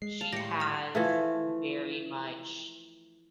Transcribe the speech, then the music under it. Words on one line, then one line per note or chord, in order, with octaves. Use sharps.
she has very much
G#3 C7
F5 A5
A2 G3 A#6 C#7
A#5 F6
E3 F3 A3